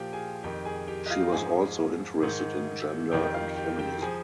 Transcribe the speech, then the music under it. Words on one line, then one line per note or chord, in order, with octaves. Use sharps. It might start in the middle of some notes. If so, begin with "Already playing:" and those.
She was also interested in gender and feminism.
Already playing: A#2 F3 F4 G4 G5
G#4 G#5
F2 D#3 G4 G5
G#4 G#5
G4 G5
D#5
F4 F5
G#2 F3 G#4 G#5
G#2 D#3
F2 D#3 G4 G5
F4 F5
G4 G5
G4 G5
F3 G#4 G#5